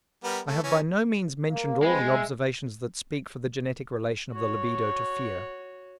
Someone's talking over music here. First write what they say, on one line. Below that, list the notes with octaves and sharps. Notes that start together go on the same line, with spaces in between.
I have by no means mentioned all the observations that speak for the genetic relation of the libido to fear.
G3 B3 A#4
A3
E3 C#4
A#3
F3 G#3 C4 B4
E5
F#4 C#5